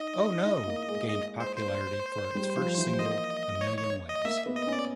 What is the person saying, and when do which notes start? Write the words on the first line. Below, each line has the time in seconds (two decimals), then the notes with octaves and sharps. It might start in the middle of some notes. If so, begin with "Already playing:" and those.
"Oh No" gained popularity for its first single, "A Million Ways".
Already playing: D#4 D#5
0.46 E4
0.67 A#3
0.88 G#3
1.09 G#3 D#5
1.40 C5
1.56 C5
2.35 G3
2.57 F3
2.77 E3
2.99 A#3 D#5
3.61 C#5
3.78 C#5
4.09 D#5
4.25 A#3 E5
4.46 B3
4.56 D#5
4.67 C#4
4.73 D5